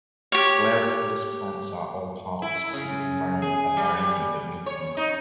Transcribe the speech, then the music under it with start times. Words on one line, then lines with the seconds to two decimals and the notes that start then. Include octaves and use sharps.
Sclerophyllous plants are all part of a specific environment and are anything but newcomers.
0.32 G4 C#5
2.42 E4
2.73 C#3
3.42 G#4
3.77 G3
4.66 C#5
4.97 D#4